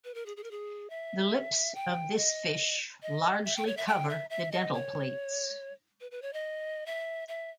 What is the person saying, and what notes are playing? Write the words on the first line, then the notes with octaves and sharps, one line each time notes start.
The lips of this fish largely cover the dental plates.
B4
A#4
G#4
G#4
A#4
G#4
E5
G5
D#5
D#5
E5
G5
C#5
E5
G5
E5
E5
D#5
C#5
B4
B4
C#5
D#5
E5
E5